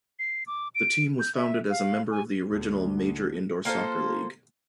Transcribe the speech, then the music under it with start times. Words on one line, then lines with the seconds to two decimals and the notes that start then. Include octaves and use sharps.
The team was founded as a member of the original Major Indoor Soccer League.
0.19 C7
0.47 D6
0.75 D7
1.20 G6
1.35 E5
1.70 F5
2.11 G#5
2.51 D2
3.65 A#3 F4 A4 C5